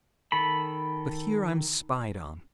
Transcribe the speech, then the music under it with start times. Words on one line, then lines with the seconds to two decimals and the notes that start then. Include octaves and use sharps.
But here I'm spied on.
0.32 D#3 A4 B5